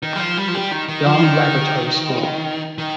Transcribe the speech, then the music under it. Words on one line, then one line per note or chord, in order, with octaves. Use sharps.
Yonge Laboratory School.
D#3
G3
F3
G3
F3
G3
D#3
D#3
F3
D#3
D#3